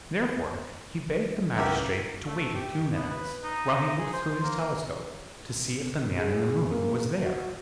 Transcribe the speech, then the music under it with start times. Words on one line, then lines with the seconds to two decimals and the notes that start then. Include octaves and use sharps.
Therefore he begged the magistrate to wait a few minutes while he looked through his telescope to see if the Man in the Moon was there.
1.57 C#2 A2 G4 A#4 E5 F#5
2.27 A3
2.54 G4
2.95 B3
3.10 B4
3.44 D#4
3.98 G#4
4.13 C5
4.43 A#3
6.18 G#4
6.68 A#3
7.23 F#4